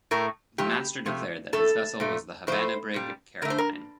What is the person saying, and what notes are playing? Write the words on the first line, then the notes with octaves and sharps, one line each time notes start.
The master declared that his vessel was the Havana brig "Caroline".
A2 A3 A#4
A2 F3 A3 G4
C3 F3 A3
A2 A3 A4
A#2 A3
A2 F3 A3 C5
A#2 G3
D3 A3 A#4
C5
A#4